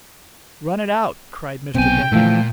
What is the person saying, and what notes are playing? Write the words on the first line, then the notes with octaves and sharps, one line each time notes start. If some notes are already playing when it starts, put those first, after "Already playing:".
"Run it out!" cried Mr. Benyon.
B1 C3 B3 C4 G5 G#5
A#2 E3 F3 A3 F5